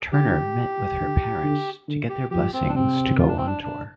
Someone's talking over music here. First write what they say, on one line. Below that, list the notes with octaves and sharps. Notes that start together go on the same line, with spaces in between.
Turner met with her parents to get their blessings to go on tour.
D3 G4
D3
D3
D3
G4
F3 G4
C4
D4
C3 C4
F4
D4
C4
D4
D4